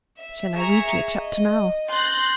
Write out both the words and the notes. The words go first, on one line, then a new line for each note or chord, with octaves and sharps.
'Shall I read you a chapter, now?'
E5
G#4 E5 A#5 C#6 C#7
D#5
C6 F#6 G6 A6 A#6